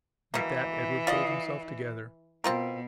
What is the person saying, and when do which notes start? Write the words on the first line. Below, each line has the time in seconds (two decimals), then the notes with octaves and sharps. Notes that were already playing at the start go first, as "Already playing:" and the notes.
But, at that Edward pulled himself together.
0.34 B2 E3 A#3
1.07 F4 D5 D#5
2.44 B2 C4 F4 A#4